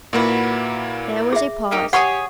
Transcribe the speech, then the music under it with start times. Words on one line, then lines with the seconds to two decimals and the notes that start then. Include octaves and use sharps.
There was a pause.
0.13 A#2 A#3 E4 F#4 B4
1.33 G#4 E5
1.71 A#3 D#4 G4
1.93 G4 G#4 A#4 C#5 F#5 C#6